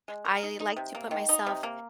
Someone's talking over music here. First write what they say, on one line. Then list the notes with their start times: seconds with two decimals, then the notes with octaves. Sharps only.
I like to put myself
0.08 G#3
0.25 A#4
0.43 D#4
0.60 D#4
0.77 C3
0.95 A#3
1.11 D#3
1.29 D#4
1.47 C3
1.63 A#3